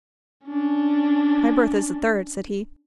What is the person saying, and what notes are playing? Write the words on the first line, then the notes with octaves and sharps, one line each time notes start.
"My berth is the third," said he.
C#4 D4